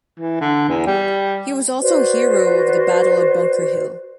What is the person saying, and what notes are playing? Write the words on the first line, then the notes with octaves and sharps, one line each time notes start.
He was also a hero of the Battle of Bunker Hill.
E3
D3
E2
G3
F#4 B4 C5 D5